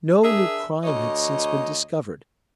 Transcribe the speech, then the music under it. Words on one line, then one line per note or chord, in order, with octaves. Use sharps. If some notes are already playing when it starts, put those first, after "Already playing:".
No new crime had since been discovered.
D4 G#4 A#4 E5
D2 C#5 D#5